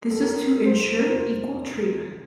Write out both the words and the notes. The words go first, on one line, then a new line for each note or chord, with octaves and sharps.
This is to ensure equal treatment.
A4
A#4
C5
A#4
C5